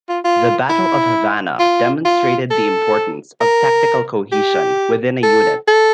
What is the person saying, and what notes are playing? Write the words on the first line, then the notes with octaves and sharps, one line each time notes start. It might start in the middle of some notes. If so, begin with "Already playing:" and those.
The Battle of Havana demonstrated the importance of tactical cohesion within a unit.
F4
F4
E4
F4
F4
A4
A#4
G4
A4
A4